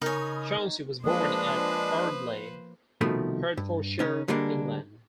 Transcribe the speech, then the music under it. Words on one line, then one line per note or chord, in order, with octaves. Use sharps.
Chauncy was born at Ardeley, Hertfordshire, England.
C#3 D#4 A#4 C#5 G#5 B5 D#6
F3 G#3 A#3 D4 B4 C5 D#6
C2 B2 D#3 F3 A3
G2
C#3 C#4 D#4
D3 G3 G#3 A#3 D4